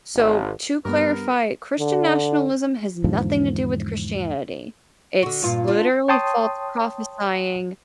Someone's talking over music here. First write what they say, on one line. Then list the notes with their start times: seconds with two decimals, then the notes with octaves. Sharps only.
So, to clarify, Christian nationalism has nothing to do with Christianity, it's literally false prophesying
0.14 G#1
0.85 G2 B3 G4 A#4
1.79 D3
3.04 E2 G#2 D3 F3
5.23 D3 F#4
5.42 G2 A#2 F4
5.68 D4 F4
6.08 C#5 G5 A5 C6 D#6